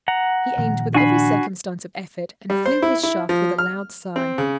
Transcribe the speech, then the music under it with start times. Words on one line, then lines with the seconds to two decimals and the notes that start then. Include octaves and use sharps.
He aimed with every circumstance of effort, and flew his shaft with a loud sigh.
0.08 F#5 A#5
0.57 A#2 D#3 F3
0.95 D4 F#4 G#5 B5 C7
2.50 G3
2.66 C5
2.82 E4
3.03 E4
3.29 F3
3.58 F6
4.16 C4
4.38 C#3